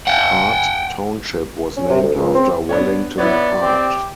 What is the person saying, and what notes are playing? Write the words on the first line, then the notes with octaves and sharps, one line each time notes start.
Hart Township was named after Wellington Hart.
F#5 G5
C#4
C3
D2
C#2
C4
B3 D4 C#5
B3 E4 B4 C#5 D5
C4 G4